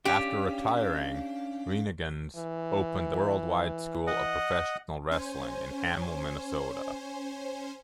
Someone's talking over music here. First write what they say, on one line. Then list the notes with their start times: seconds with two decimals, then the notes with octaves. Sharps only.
After retiring, Rhenigans opened the World Wide School of Professional Wrestling in Hamel, Minnesota.
0.05 C#4 D4 G4 F5
2.36 E3
4.07 D#5 F#5
5.11 C#4 C5 G#5